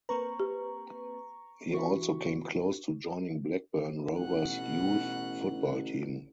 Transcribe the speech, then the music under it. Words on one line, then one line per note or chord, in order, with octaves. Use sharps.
He also came close to joining Blackburn Rovers' youth football team.
A#3 C4 B4 A#5 C#6
G4
E3 E4 F#4 C#6
A1 B2 F#5 F#6